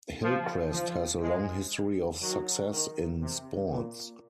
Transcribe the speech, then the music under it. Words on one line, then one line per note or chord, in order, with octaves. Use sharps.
Hillcrest has a long history of success in sports.
F3
F3
F3 G#3
D#3 F#3
D#3
C3
A#2